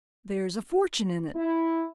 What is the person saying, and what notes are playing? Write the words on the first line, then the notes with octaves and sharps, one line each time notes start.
"There's a fortune in it!"
E4